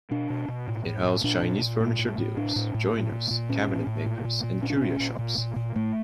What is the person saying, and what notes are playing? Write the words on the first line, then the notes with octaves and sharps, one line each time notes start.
It housed Chinese furniture dealers, joiners, cabinet makers and curio shops.
B2 D4
B2
B2
A2
A2
A2
A#2 D4
A#2
A#2
A2
A2
A2
A2 D4
A2
A2
A#2
A#2
A#2
A2 C#4
A2
A2
A#2
A#2
A#2
A#2 C#4
D4
A#2 C#4
A#2
A#2
A#2
A#2
A2 A3